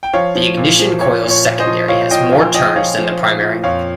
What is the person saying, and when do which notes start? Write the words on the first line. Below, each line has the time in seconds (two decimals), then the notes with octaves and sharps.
The ignition coil's secondary has more turns than the primary.
0.03 G5
0.13 F3 C#5 F5
0.35 F3
0.57 A#2
0.79 F3
1.01 A#2 C#5
1.23 A#2
1.30 C#5
1.45 A#2
1.59 C5 D#5
1.67 F3
1.88 A#2 C#5 F5
2.11 A#2 D#5 G5
2.32 F3 F5 G#5
2.54 F3 D#5 G5
2.76 F3 C#5 F5
2.98 F3
3.20 A#2
3.42 A#2
3.63 F2 C#5 F5